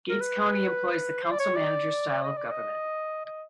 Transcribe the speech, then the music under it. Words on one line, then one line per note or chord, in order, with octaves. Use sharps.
Gates County employs the Council-manager style of government.
A#4
B4
C5
D5
C#5
D5
D#5
D5
D#5
D#5